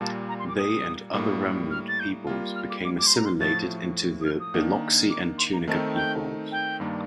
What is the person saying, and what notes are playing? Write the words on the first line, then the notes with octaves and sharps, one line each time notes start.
They and other remnant peoples became assimilated into the Biloxi and Tunica peoples.
A#2 G3 A#3 A5
A#5
C6
D6
D#6
A2 G3 A#3
F6
A6
G6
G3 A#3 F4
F6
D6
D6
D6
C6
A#5
C6
A2 F3 A3 A6
D#6
F6
D#6
D#3 A#3 D4
D6
C6
A#5
D#3 A3 C4 D#4 A4 A5
G5
G5
G2 D#3 G3 A#3 D4